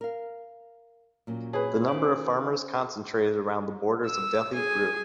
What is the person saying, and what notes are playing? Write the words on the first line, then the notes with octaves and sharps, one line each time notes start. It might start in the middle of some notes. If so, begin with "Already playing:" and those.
The number of farmers concentrated around the borders of Delhi grew.
A#4 F5
A#2 F#3 C#4
G#4 B4 C#5
D#3 C#4 F#4 C5
E6
G#4 G#5